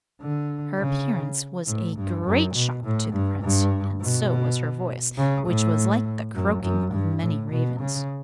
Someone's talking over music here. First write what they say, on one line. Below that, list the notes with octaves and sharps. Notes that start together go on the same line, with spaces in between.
Her appearance was a great shock to the Prince, and so was her voice, which was like the croaking of many ravens.
D3
C#3
A2
G2
F#2
B2
A2
G2
G2
B2
C#3
A2
F#2
F#2
G2
A2
B2
C#3